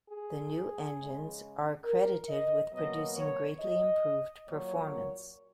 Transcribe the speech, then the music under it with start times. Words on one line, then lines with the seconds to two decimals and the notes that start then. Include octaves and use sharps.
The new engines are accredited with producing greatly improved performance.
0.09 G#4
0.97 C#3 G#3
1.84 A#4
2.29 D#5
2.72 B2 F#3 A#3 D#5
3.16 C#5
3.60 D#5
4.49 A#2 F#3 A#3 C#5